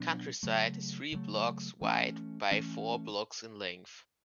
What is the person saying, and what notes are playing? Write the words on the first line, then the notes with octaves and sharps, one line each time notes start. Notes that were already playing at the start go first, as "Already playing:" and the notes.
Countryside is three blocks wide by four blocks in length.
Already playing: B2 F#3 B3 D4
C#3 F#3 A3
C#3 F#3 A3
E3 A3 C#4
E3 A3 C#4